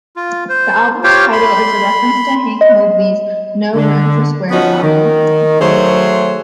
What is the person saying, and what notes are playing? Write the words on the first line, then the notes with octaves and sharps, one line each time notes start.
The album's title is a reference to Hank Mobley's "No Room for Squares" album.
F4
C5
F4 G4 C5 C#5 F5 G5
B5 C6
D#5
D3
F3 B3 C#4 D#4 F#4
D#3
F#3 A3 G#4 C5 C#5